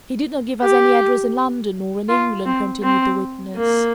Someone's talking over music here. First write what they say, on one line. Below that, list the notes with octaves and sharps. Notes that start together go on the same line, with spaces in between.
"He did not give us any address in London, nor in England," continued the witness.
G4
F4
C4
C4
A#3